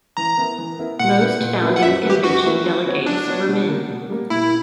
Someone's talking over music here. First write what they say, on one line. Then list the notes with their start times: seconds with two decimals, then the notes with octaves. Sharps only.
Most founding convention delegates were men.
0.17 E3 A#5
0.37 B3 E4 A#4
0.58 E3
0.79 B3 E4 A#4
0.99 A#2 F#5
1.21 A#3 E4 B4
1.40 A#2
1.61 A#3 E4 B4
1.76 F#5
1.82 F#2 E5
2.03 E3 A#3 E4 B4
2.10 G4
2.24 F#2 F#4
2.44 E3 A#3 E4 B4
2.64 F#3
2.85 B3 F#4 C#5
3.06 F#3 D4
3.27 B3 F#4 C#5
3.48 B2
3.68 G3 A#3
3.89 B2
4.10 G3 A#3
4.30 A#2 E4